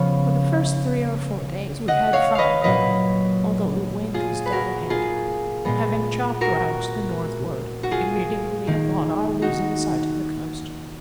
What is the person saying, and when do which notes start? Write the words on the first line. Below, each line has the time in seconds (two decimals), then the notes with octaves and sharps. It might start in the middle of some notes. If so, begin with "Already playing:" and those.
For the first three or four days we had fine weather, although the wind was dead ahead; having chopped round to the northward, immediately upon our losing sight of the coast.
Already playing: C#3 F3 B3 C#5 F5
1.88 D#5 F#5
2.13 C#5 F5
2.35 B4 D#5 F5
2.63 A#2 F#3 A#3 B4 D#5
4.14 F4 G#4
4.46 B4
4.52 F#4 A#4
4.90 F4 G#4
5.65 A#2 G#3 B3
6.41 F#4 A#4
7.83 F#4
7.91 F4 G#4
8.67 D#3 A#3
9.42 D#4 F#4